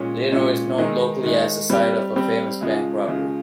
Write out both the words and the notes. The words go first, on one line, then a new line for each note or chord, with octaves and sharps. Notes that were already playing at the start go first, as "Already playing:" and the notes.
Leonore is known locally as the site of a famous bank robbery.
Already playing: A#2 G#3 C#4
A#2 G#3 C#4
D#3 G#3 D#4
D#3 G#3 D#4
G3 C4 G4
G3 C4 G4
C#3 F3 G#3
C#3 F3 G#3